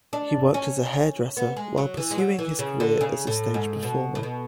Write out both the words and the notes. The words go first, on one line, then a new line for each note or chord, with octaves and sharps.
He worked as a hairdresser while pursuing his career as a stage performer.
D4
C#4
B3
G#3
F#3
E3
G#3
F#3
E3
C#3
D3
C#3
A2
G#2
B2
A2
B2